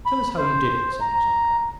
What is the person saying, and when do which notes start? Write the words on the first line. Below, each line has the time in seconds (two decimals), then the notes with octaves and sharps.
Tell us how you did it!' said Nazarka.
0.06 B5
0.38 C5
1.01 A#5